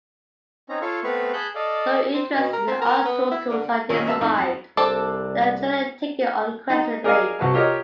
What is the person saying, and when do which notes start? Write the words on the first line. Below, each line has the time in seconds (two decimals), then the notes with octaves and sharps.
Though interest in Aristotle's ideas survived, they were generally taken unquestioningly.
0.69 C4 C#4 D#4 A#5
0.82 F4 A4 C#5 F5 C#6
1.04 A3 B3 C4 B4 F5 C#6
1.33 G#4 A5 B5 F#6 G6
1.55 A4 D5 D#5 F5
2.13 C4
2.37 B2
2.53 A#4
2.67 C4
2.81 A#4
3.05 B3
3.31 E4
3.50 D3
3.89 D#2 A#2 C#4 E6
4.07 F#2 B3 E5 F5 A5 E6
4.21 F2 A2 D#4 A4
4.36 F2 A5
4.77 C2 C4 D4 A4
6.70 D#4
7.04 G#4 A#4 D5 D#5 F5 G#5
7.39 C2 F#4 B4 A5
7.54 F4 G4 A#4 C#5 D#5